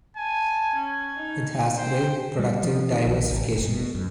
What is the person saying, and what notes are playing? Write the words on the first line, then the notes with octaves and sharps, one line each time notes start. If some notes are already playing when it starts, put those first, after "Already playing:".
It has great productive diversification.
G#5 A5
C#4 G#6
D#4
C5 G5
G3
F3
D#3
A#1
A1
F#1
B2
F#2